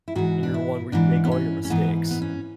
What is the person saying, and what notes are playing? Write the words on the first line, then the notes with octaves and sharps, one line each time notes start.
your one where you make all your mistakes.
E4
G#2 E3 F#4
D4
E4
G#2 E3 D4
B3
C#4
C#4
G#2 E3 B3
B3
C#4